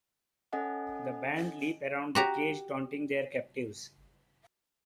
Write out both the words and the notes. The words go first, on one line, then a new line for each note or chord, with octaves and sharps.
The band leap around the cage taunting their captives.
C#4 A4 D#5 F#5 G#5
F#4 G4 A#5